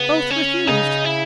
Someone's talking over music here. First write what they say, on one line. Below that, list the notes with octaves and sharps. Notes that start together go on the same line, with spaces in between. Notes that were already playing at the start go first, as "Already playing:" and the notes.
Both refused.
Already playing: C#3 B3
C#4
C#3 D#4
E4